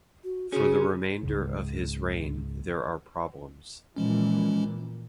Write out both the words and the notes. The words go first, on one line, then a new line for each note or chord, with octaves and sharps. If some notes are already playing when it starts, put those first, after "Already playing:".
For the remainder of his reign there are problems.
F#4
C#3 C#4 F#4 G#4
C#2 G#2 C#3
A#2 E3 F3 G#3 C#4